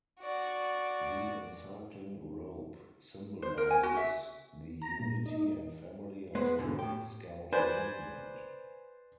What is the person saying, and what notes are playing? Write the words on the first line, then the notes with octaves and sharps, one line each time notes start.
The encircling rope symbolizes the unity and family of the World Scout Movement.
F#4 D5
C5
A#4
G#5
F#4
E5
A#5
A#2
D#4
G#3 B3 B4 C5
G#2 B2 D3
A2 G4
B4 C5 D5 G#5